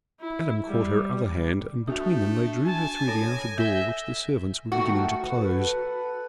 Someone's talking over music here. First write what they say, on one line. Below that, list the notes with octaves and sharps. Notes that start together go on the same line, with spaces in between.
Adam caught her other hand, and between them they drew her through the outer door which the servants were beginning to close.
E4
G3
A3 D4 F#4 E5
G#5 A5
A4 C#5 A#6
E5 G6 A#6 G7
D#3 A3 F#4
A4 B4